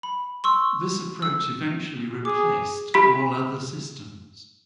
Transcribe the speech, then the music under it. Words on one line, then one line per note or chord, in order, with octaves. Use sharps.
This approach eventually replaced all other systems.
B5
C6 C#6 E6
E6
G#4 D6 D#6
G4 B5 B6